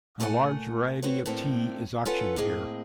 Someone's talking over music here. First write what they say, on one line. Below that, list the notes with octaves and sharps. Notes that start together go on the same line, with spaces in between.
A large variety of tea is auctioned here.
A#2 A3 A4 B4 F#5 G#5
C4 F#4 B4 C#5
A2 A3 A#3 C4 D4
C#4 F4 A4 B4 F#5
A2 A#3 C4 G#4 D#5